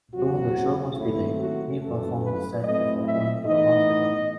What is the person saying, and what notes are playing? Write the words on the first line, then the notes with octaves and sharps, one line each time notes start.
Though the show was delayed, he performed the set before going to a hospital.
F#1 E2 C3 F#3 F#4
D#2 D#3 F#3 A3 C4 E4
F#4
G1 F#2 E3 A3 A4
B4
A2 F#3 A3 C4 E4 D#5
E5
A2 E3 B3 D#4 D#5